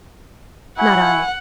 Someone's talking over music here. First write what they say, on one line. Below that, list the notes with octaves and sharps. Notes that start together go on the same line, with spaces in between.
"Not I."
E4 F#4 F#5 G#5